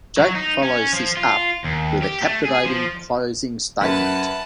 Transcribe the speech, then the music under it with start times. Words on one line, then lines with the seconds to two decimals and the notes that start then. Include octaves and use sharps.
Jake follows this up with a captivating closing statement.
0.18 F#3
0.35 D#4
0.63 C#4
0.93 F3
1.17 F4
1.64 D#2
2.04 G4
2.22 A3
2.45 G#4
2.65 F3
3.81 F#2 B4 E5 F#5 A5